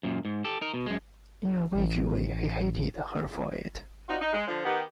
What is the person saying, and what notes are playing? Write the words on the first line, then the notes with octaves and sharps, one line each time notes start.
In a vague way he hated her for it.
F#2 A#2
G#2
G4 A4
D#4 A#4
B2
F#2 G#3
A1
C4 D#4 F4 F#4 D5 D#5
D#4
G#3
D3 F3
D#3 B3 G4